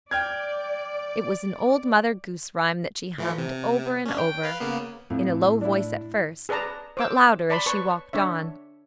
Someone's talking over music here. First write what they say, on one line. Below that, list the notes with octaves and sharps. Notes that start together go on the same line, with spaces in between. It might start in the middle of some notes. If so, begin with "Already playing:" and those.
It was an old Mother Goose rhyme that she hummed over and over, in a low voice at first, but louder as she walked on.
D5 G5 F6 G#6
A2 E3 F3
C3
C#4 D4
G5
B4 F5
C#3 A#3 B3
F2 A2
D4 E4
G#4 B4 D5 A5 A#5
C5 D6 E6
D5 A5 B5 C6
B4 C#5 A5 C#6
D4 C#5 E5